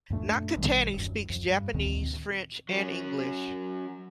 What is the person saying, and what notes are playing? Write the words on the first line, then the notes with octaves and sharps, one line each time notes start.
Nakatani speaks Japanese, French, and English.
F#2 A#2 A3 D4
A#1 B2 D#3 G3
D#1 F#2
F2
G2
D2 A#2 D#3 C4
F#3 C#4